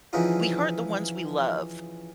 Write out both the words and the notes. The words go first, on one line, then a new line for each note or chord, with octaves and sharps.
we hurt the ones we love,
C#3 E3 F3 D#4 F4 F#4